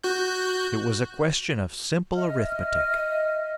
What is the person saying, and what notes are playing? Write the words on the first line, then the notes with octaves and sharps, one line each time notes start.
It was a question of simple arithmetic.
F#4 F#6 G6
D#5 E5 F6